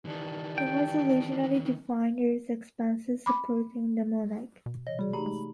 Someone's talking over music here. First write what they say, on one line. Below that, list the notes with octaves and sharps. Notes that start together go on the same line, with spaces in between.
It was originally defined as expenses supporting the monarch.
D#3 E3 G4 D5 A5
G5
B5 D6
B2
C3 E3 C#5 D#5
G3 F#4 G#4 D5
A3 D#4 G4 A#4 A#5 B5
G#3